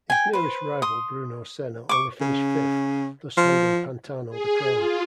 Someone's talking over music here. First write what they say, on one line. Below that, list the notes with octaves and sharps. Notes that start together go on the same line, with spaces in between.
His nearest rival Bruno Senna only finished fifth, thus handing Pantano the crown.
G5 G#5
B4 C5
C6 D#6
C#6 D6
C#3
F3
G#4
F4